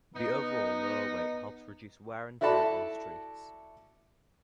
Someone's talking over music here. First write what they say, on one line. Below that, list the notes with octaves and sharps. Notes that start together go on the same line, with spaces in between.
The overall lower weight helps reduce wear and tear on streets.
B3 D#4
E4 F#4 A4 D5 A5 B5